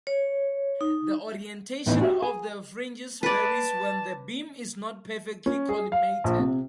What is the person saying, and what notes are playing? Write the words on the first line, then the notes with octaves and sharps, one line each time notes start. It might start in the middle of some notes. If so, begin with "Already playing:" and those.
The orientation of the fringes varies when the beam is not perfectly collimated.
C#5
D#4
A2 D#3 E3 B3 D#4 E4
F#4 G4 D#5 E5
G#4
B4 D5 A5
C#4
G#4
F5
A#1
C3